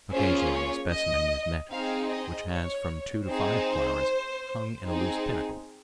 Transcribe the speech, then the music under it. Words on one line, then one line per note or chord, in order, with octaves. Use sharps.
Occasionally a specimen is met which has from two to five flowers hung in a loose panicle.
A#3 C#4 F4 G#4 C5
C#5
D#5
C4 D#4 G#4 F5
D#5
C#5
C4 D#4 G#4 C5
C4 D#4 G#4